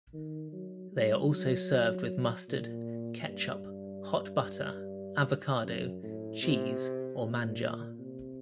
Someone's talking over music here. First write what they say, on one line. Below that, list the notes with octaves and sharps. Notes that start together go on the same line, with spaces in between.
They are also served with mustard, ketchup, hot butter, avocado, cheese or manjar.
D#3
F#3
G3
F#3
A#2
G2
F#2
A2
C3
A#2
C3